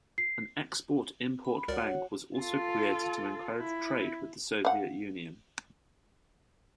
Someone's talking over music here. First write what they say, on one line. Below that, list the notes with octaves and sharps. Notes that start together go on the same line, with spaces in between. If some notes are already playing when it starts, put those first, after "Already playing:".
An Export-Import Bank was also created to encourage trade with the Soviet Union.
C7
B5
C#2 F#4 A#4 C#5 D5 F#5
F4 A4
E4
F5 F#5